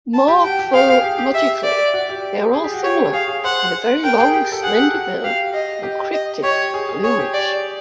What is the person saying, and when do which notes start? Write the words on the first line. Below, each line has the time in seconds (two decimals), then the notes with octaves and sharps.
Morphologically, they are all similar, with a very long slender bill and cryptic plumage.
0.14 A5
0.28 G4
0.43 F#4 G5
0.59 G4
0.73 G#4 F5
0.88 G4
1.00 G#4
1.04 G4
1.18 G4
1.34 E5
1.64 D5
1.94 F#4
2.09 G4
2.53 G#4
2.64 G4
2.74 F#4
2.83 G4 C#5
3.13 G#4 F5
3.28 G#4
3.44 C5 F#5
4.03 A#4 G5
4.18 G#4
4.33 G4
4.52 A4
4.63 G#4 F#5
4.79 G4
4.94 F#4
5.24 G4 F5
5.53 D#5
5.83 G4
6.13 D#5
6.43 G4 C#5
6.74 G#4
6.89 G#4
7.03 G#4 C#5
7.19 G4
7.34 D5